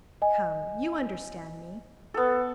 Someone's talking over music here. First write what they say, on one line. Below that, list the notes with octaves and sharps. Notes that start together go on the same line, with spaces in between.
"Come, you understand me."
D#5 G#5
B3 A4